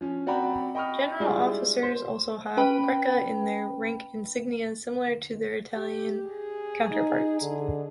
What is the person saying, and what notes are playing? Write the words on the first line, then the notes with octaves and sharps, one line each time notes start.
General officers also have Greca in their rank insignia similar to their Italian counterparts.
F3 C#4
C4 F#4 D5 G5 A#5 B5
D#5 G5 B5 C#6 D#6 F6
G3 G#3 D4 E4 F4 G#4
C5
C#4 B4 G5 B5
G4
G#4
D#4
D3